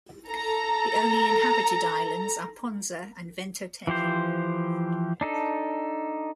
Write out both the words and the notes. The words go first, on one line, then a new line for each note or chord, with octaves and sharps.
The only inhabited islands are Ponza and Ventotene.
A4 A#5
E3 F3 G4 C5
D4 D#4 A4